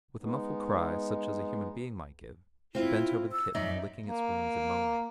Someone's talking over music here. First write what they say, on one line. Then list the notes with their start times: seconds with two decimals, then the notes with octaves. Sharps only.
With a muffled cry, such as a human being might give, she bent over the kitten licking its wounds and moaning.
0.21 G#3 B3 D#4
2.75 C4 E4 F4
3.32 E6
3.55 F#2 D#4 D5 E5
4.06 A#3